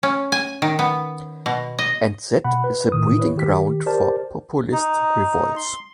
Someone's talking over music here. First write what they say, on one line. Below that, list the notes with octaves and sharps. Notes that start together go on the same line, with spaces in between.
And that is the breeding ground for populist revolts.
C#4
G#5
D#3
B3
B2
D#5
B2 F#5 B5
B4
A2 D#3 D#6
E4 B4 C#5
D#3 G4 B6
G4 A#4 C5 D5 A5
D#4
C6